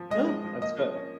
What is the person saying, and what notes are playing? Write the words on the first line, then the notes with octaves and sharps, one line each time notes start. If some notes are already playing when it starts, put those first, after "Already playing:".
Oh, that's good,
Already playing: F3
G#3 D#5
F3
F3
A#3 D#5
F3
C#4